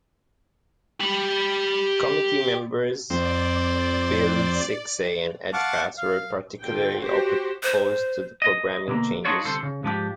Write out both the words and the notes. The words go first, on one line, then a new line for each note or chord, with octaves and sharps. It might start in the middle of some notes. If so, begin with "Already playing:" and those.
Committee members Bill Siksay and Ed Fast were particularly opposed to the programming changes.
G4 B5
F2 C4 D5
F5 F#5 A5 C#6 D6
F5
D3 F4 G5
F#4 G4 C5
C5
D#5
B2 D3 A#3
D4 D#4 F4 F#4 C#5 D5
C2 D3 A4 C5
C#3
G#2 F3 D4 G4